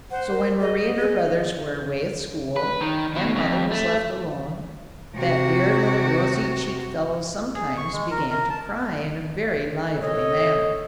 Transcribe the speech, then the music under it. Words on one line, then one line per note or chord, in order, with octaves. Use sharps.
So when Mari and her brothers were away at school, and mother was left alone, that dear little rosy-cheeked fellow sometimes began to cry in a very lively manner.
C5 F#5
A#4
G#4 D#5
G#4
B4
D#3
B2
F2
A3
C3 F#4
G#4
C#6
G#3
A#4
A#4
A5
A4 C#5 D#5